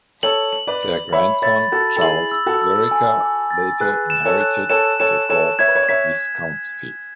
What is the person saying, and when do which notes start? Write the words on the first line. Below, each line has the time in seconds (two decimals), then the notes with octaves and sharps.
Their grandson Charles Vereker later inherited the Gort viscountcy.
0.23 A4 C#5 F#7
0.53 F#7
0.67 B4 D5
0.83 F#7
1.12 C#5 E5 B5
1.42 C#5 E5 A6
1.72 F#4 A4 A6
1.96 A4
2.01 E4 G#4 F#7
2.31 E6
2.46 F#4 A4
2.62 E6
2.91 G#5
3.20 D6
3.50 A6
3.80 G#4 B4 F#6
4.10 E7
4.25 A4 C#5
4.40 F#6
4.69 A4 C#5 E7
5.00 A4 C#5 E7
5.29 A4 C#5 E7
5.59 C#5 E5 G#6
5.68 B4
5.75 C#5
5.82 D5
5.89 C#5 E5 B6